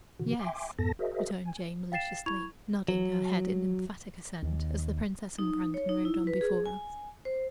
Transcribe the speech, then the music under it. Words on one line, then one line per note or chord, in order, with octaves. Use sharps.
"Yes," returned Jane maliciously, nodding her head in emphatic assent, as the princess and Brandon rode on before us.
B2 D3 E3 F#4
E5 G5 G#5 C6 D6
F2 G#2 B3 A4 A5 A#6
F#4 G#4 A#4 C5 D#5 E5
G#5
F5 G5 A6 C7 E7
E4 B5 C#6 G#6 F7
F#3
D#2
D#4
C#5
D#4
E4
B4
G#4
G#5
C5